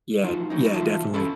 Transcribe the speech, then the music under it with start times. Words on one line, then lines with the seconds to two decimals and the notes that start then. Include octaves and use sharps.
Yeah, yeah, definitely.
0.23 F3 F#3 D#4 F4 F#4
0.50 F#3 A#3 D#4
0.74 B1 E3 F4 E5 F#5 A5
1.13 E2 C#3 C#4 A4 A5 B5